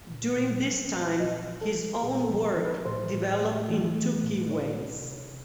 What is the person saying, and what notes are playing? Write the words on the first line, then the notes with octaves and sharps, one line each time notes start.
During this time his own work developed in two key ways.
A#2
A#2
F#3
A#2
A#2 D#5
F3
A4
F3
A#2 G#4
A4
F3
A#4
F3
B4
A2 C5
A2
A3
E3
A3
A2
C2 C#5
C3
C3